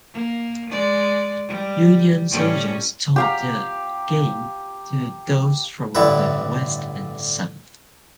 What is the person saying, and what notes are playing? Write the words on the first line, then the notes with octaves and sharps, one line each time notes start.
Union soldiers taught the game to those from the West and South.
A#3
G#3 D5
G3
A2 G3 C#4
G4 F5 A#5
A1 G2 D3 E4 B4